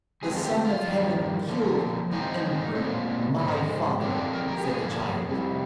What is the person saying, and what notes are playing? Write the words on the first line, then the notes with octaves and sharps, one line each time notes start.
"The Son of Heaven killed the emperor, my father," said the child.
D3 G#3 C4 G#4
F4
G4
F4
G2 D#3 G3
D3 F3 A#3
G#2 F3 G#3 C4 D#4
A#2 G#3 C4
G#2 F3 G#3
D3 F3 G#3 C4 D4
D4
A#4
A#4
G4
D3 F3 A#3 G#4
F2 C3 G3